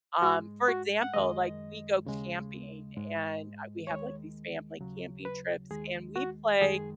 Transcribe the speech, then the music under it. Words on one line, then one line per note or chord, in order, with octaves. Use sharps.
Um, for example, like, we go camping and, uh, we have, like, these family camping trips, and we play
G#2 G#3 F#4
F#4
F#5
F#2 D#3 G#3 D#5
D#2 C#3 G#3
G#2 G#3
D#2 D#3 G#3 C#5
D#2 C#3 F#3
B4
D#2 D#3 G#3 G#4
F#4
F#2 D#3 G#3 G#4